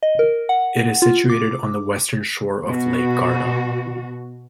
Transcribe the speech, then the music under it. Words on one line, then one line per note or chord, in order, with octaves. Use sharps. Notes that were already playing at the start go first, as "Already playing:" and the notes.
It is situated on the western shore of Lake Garda.
D#5
A#4
F#5
F4
D6
B2 F#4